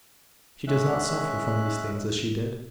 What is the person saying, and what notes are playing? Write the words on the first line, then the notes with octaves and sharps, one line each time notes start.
She does not suffer from these things as she did.
G#3 C#4 E5 F#6